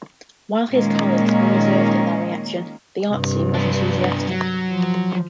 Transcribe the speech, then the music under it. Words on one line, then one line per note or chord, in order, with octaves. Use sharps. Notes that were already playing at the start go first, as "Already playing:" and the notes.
While his colleagues were reserved in their reaction, the art scene was enthusiastic.
A#2 D#3 G#3 A#3 C#4
G2 C3
B3 D4
F#3
F3